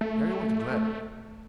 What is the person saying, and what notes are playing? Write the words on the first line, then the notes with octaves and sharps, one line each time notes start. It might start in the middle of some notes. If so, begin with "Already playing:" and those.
Harry went gladly.
A3